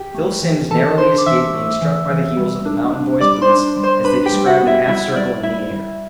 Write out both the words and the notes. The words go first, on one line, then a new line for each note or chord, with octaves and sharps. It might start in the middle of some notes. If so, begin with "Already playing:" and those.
Phil Simms narrowly escaped being struck by the heels of the mountain boy's boots as they described a half circle in the air.
Already playing: G4 G5
A3
E3
E3 A4 A5
D4 C5 C6
D6
E3 E5 E6
A3
E3
E3
G3
D4
D4
G3 D5 D6
C5 C6
D4
G3
C5 C6
D4 B4 B5
G4 G5
G3
F#4 F#5
B3
E4 E5
G3 E4 E5
G3 D5
G3 E4 E5
G3